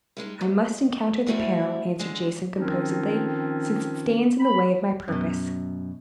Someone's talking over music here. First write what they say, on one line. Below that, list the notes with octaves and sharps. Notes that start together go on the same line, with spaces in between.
"I must encounter the peril," answered Jason, composedly, "since it stands in the way of my purpose."
G3 G#3 C#4 D#4
F2
F3 G3 A3 C4 E4 F#4
D3 G#3
D#3 F3 C4 C#4 D#4 F4
B5
F#2 B2